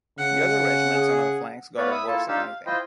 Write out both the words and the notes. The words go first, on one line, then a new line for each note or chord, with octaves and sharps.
The other Regiments on our flanks got it worse if anything.
C#3 F#5
G#4
B3 B4 C#5 D5 F5
E5 B5 D#6
A#3 E4 F4 A4 A5
D4 D#4 F4 G4 F5 E6
F5
E4 F4 C5 D#5 G5